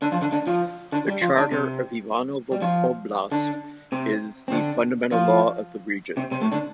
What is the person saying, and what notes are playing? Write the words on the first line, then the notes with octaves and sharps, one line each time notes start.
The Charter of Ivanovo Oblast is the fundamental law of the region.
D3 D4
F3 F4
D3 D4
D3 D4
F3 F4
D3 D4
G3
F3 F4
D3 D4
C3 C4
G3
F3 F4
D3 D4
C3 C4
C4
D3 D4
F3 F4
C3 C4
C3 C4
A2 A3
D3 D4